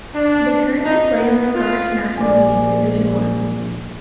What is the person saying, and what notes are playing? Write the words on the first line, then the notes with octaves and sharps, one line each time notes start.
They currently play in the Scottish National League Division One.
D4
D#4
B3
F4
A#1 D5 G#5